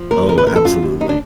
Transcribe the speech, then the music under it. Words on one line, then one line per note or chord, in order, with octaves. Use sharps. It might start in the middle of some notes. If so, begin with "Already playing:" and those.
Oh, absolutely.
Already playing: F3
D#2 A#4
C#3 A#4
B4
D#2 A#4
A4
F#2 F4
F#2
D#3 D#4
D4